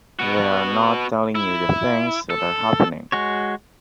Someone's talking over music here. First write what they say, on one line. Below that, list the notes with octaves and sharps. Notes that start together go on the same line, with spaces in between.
They are not telling you the things that are happening.
B2 F#4
E4
A4
G#3 F#4 C#5